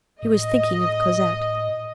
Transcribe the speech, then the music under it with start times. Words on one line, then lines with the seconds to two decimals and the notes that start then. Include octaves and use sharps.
He was thinking of Cosette.
0.23 A2 D#5